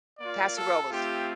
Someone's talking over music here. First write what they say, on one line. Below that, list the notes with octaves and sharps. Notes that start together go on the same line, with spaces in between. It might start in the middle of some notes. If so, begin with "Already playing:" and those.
Paso Robles.
A#3 F4 D5
A4
A3 C4 F4 G4